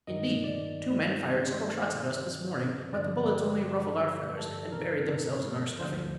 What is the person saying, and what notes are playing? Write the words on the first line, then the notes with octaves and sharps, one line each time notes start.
Indeed, two men fired several shots at us this morning, but the bullets only ruffled our feathers and buried themselves in our stuffing.
G2 D#3 D#5
D5
C5
G2 D3 F3 D5
G4
A4
A#4
D2 D3 F3 C5